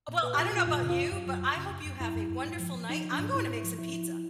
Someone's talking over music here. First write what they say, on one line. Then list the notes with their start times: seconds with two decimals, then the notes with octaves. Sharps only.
well, I don't know about you, but I hope you have a wonderful night. I'm going to make some pizza.
0.08 A#2
0.23 A#2 B4
0.34 G4
0.38 A#2 F4
0.45 F#4
0.52 A#2 F4
0.67 F#2 F4
0.82 C#3
0.90 F4
0.97 F#2
1.11 F#2 F4
1.27 F#3
1.42 F#2
1.56 C#3
1.71 F#2
1.86 F#2
2.00 F#2 E4
2.15 F#2
2.30 F#2
2.45 G#2
2.59 F3
2.75 F3
2.89 F3 D#4
3.04 F3
3.12 D4
3.19 G#2
3.34 G#2 E4
3.49 G#2
3.56 E4
3.64 F3
3.78 F3 E4
3.93 F3